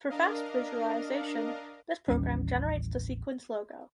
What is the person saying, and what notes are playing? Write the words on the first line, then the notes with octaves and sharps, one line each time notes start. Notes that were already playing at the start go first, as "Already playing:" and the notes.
For fast visualization, this program generates the sequence logo.
D4 A#4 D#5 F5
A1 D#2 G3 C#4